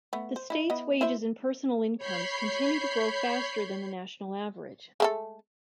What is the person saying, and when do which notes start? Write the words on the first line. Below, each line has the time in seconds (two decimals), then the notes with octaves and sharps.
The state's wages and personal incomes continue to grow faster than the national average.
0.13 A3 B3
0.36 C5
0.50 D#4 E4
0.70 B3 E4 D#5
1.01 E4 C5 E5
1.98 C#5 B5 G6 C7
5.00 G#3 A3 A4